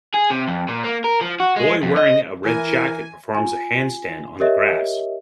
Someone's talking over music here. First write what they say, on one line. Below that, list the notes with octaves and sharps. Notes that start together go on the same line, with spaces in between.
Boy wearing a red jacket performs a handstand on the grass.
G#4
C3
F2
A#2
A#3
A#4
F3
F#4
G#3
F2
D#5
E3 E4 A#4 G#5
F4 G#5
G4 A#4 C#5 D#5 E5